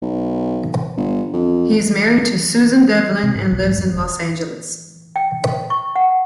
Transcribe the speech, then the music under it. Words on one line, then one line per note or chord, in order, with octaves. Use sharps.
He is married to Susan Devlin and lives in Los Angeles.
B1
G1
F2
C3
G#2
B1
G#2
F#2
E1
G5
C#6
F#5